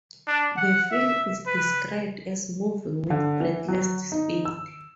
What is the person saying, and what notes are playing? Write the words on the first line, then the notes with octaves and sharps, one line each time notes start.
The film is described as moving with "breathless speed".
D4
F#5
E5
B4
D3
E3
F#3
D#4
E6